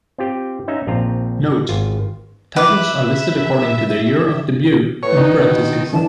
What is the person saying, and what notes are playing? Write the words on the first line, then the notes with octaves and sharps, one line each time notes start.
"Note": Titles are listed according to their year of debut in parentheses.
C4 F4 G4 G5
C#4 D#4 E5 F5 A#5
A#1 C4 F4 A#5
G#1 F4
B4 E5 D6
A2 B4 C#5
D#3 D4 D#4
B2
D3 E3 D4 A5